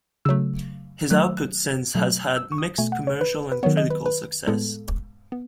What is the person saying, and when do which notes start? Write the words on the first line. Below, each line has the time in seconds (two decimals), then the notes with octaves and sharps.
His output since has had mixed commercial and critical success.
0.25 C#3 F#3 A3 E6
1.10 D#3 F#3 A3 F#6
1.23 E6
1.37 F#6
1.95 B2 F#3 A3
2.37 E6
2.52 C#6
2.58 D#6
2.78 B2 A3 G#5
2.92 F#5
3.07 C#5
3.21 B4
3.52 B4
3.63 D#3 F#3 B3 C#5
3.77 D#5
3.90 B4
4.06 B4
4.47 A2 G#3 B3 A4
5.32 B3